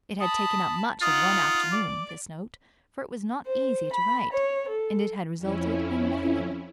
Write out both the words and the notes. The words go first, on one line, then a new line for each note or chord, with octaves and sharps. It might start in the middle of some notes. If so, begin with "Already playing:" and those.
It had taken up much of one afternoon, this note, for it was not easy to write; and it had resulted in nothing.
A5 B5 D#6
D#4 F4 F#5 D#6
D5 D6
C5
B5
C#5
A4
F2 C#4 E4